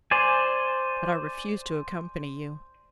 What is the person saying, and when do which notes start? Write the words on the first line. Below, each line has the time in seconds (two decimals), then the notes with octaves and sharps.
But I refuse to accompany you.
0.11 C5 D5 G#5